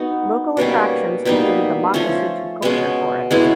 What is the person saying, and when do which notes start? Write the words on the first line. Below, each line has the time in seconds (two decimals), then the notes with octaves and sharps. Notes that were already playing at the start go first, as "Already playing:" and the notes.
Local attractions include the Makasutu Culture Forest.
Already playing: B3 D#4 F#4
0.57 B2 G3 A#3 C#4
1.25 B2 G3 A#3 D#4
1.94 F3 A3 C#4
2.62 B2 G#3 C#4
3.31 B2 G#3 C#4 E4